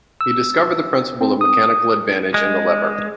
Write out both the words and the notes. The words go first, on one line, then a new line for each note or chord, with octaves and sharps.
He discovered the principle of mechanical advantage in the lever.
E6
C4
D#6
G#3